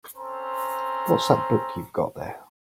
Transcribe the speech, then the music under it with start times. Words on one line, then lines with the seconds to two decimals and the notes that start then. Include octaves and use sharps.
What's that book you've got there?
0.16 C4 C#4 A4 C5 A#5 C6